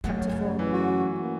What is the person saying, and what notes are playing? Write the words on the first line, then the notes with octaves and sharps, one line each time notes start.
Chapter IV.
F#2 C#3 A3 A#3
F#2 C#3
E3
F#4
A#3